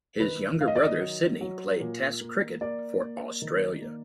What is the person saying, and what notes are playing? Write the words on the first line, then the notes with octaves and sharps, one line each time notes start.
His younger brother Sydney played Test cricket for Australia.
D#3 B4
D#3 F5
D#5
D5
D#5
F#3
F#3
A#2
A#3
A#3 D5
A#3
D#3
A#3